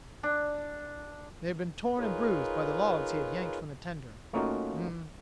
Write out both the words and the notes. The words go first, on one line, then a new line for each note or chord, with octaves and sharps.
They had been torn and bruised by the logs he had yanked from the tender.
D4
D#4 F4 G#4 A#4 B4 C#5
A3 A#3 C#4 D#4 F4 F#4